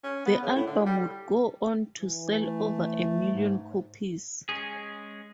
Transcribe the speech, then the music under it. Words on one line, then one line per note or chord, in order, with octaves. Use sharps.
The album would go on to sell over a million copies.
C#4
B3
C#3
A2
D3
G3
E3
A3
G#2
G#3 C#4 G#4